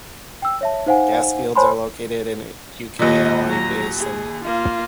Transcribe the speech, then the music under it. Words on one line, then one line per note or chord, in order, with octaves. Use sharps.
Gas fields are located in Ucayali Basin.
G5 E6
C#5 E5 A5
D#4 C5 F5 F#5 G#5
C5 C#5 G#5 A5 B5 C6
D#2 A#2 D#5
F#3 A#5
G#4
A#3 F4